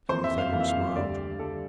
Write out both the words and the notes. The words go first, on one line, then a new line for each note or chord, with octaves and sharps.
Sir Nathaniel smiled.
F2 E3 A#3 C5
E5
F5
F2 E3 A#3 F5
E5
F5
D2 D3 G3 D5
D3 G3 A4